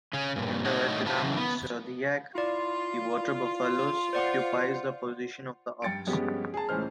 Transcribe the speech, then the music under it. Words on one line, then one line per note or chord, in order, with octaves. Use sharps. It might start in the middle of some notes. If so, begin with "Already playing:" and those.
In the Vietnamese zodiac, the water buffalo occupies the position of the Ox.
C#3 C#4
G2 A#2
A2 D#4 F#4 A4 C#5 D#5
C3 F#3 F4 B4 A5
C#3 E3 F#3
B3
E4 F4 D5
C5 D5 F#5
G2 G5 A6 C#7 D7
G2 F3 G#3 B3 C#4 G4
G#4 A5
C#2 A2 E3 C#4 C5 F6